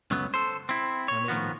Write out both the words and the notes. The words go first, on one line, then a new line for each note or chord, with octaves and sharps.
I mean
C#2 F#2 F#3 A3 B3
A4 C5
C4 E4
C#5
D#3 F3 B3 F#4